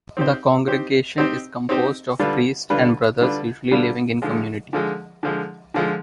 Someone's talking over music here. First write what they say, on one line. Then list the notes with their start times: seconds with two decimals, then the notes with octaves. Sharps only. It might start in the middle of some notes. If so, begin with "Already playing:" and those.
The congregation is composed of priests and brothers usually living in community.
0.17 C4 D#4 G4 C5
0.68 C4 D#4 G4 C5
1.18 C4 D#4 G4 C5
1.69 C4 D#4 G4 C5
2.19 D3 G3 D4 F4 B4
2.70 D3 G3 D4 F4 B4
3.21 D3 G3 D4 F4 B4
3.71 D3 G3 D4 F4 B4
4.22 D3 F3 G#3
4.73 D3 F3 G#3
5.23 D3 F3 G#3
5.74 D3 F3 G#3